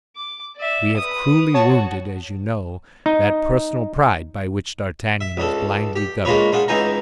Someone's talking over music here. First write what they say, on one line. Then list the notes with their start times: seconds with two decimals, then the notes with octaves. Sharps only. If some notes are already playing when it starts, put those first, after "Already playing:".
We have cruelly wounded, as you know, that personal pride by which D'Artagnan is blindly governed.
0.17 D6
0.56 D5 E5
0.97 B4 D#6
1.54 F#4 C#5 A5
3.06 D#4
5.21 E5
5.37 C#2 D4 A4
5.96 G4
6.25 G#3 A#3 D4 F4 B4 C#5
6.52 D4 F4 G#4 F#5
6.68 C#2 E3 D#4 G5 G#5 A#5